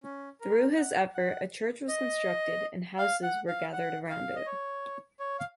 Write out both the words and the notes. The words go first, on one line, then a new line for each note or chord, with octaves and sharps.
Through his effort, a church was constructed and houses were gathered around it.
C#4
A#4
F#5
F#5
D#5
F5
F#5
F5
F#5
F5
D#5
C#5
C#5
F5